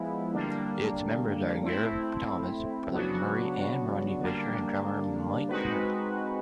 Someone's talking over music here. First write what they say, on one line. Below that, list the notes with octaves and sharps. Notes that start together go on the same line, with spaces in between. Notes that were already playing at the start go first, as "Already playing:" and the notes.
Its members are Gareth Thomas, brothers Murray and Rodney Fisher and drummer Mike Beehre.
Already playing: F3 G#3 B3 E4
D3 G3 A#3 D4
A3 C4 E4
C#3 F#3 B3 D4 F#4
D3 G3 A#3 D4
G#3 C4 D#4 F#4 B4